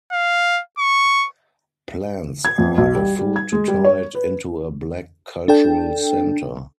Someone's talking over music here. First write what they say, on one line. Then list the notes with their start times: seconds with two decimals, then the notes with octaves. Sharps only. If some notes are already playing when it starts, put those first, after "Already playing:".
Plans are afoot to turn it into a black cultural center.
0.12 F5
0.78 C#6
2.45 G#6
2.59 F2
2.78 B1
2.95 G3
3.19 G3
3.36 G#6
3.52 G#3
3.68 G3
3.84 C#5
4.15 B4
5.48 D4 A4 G5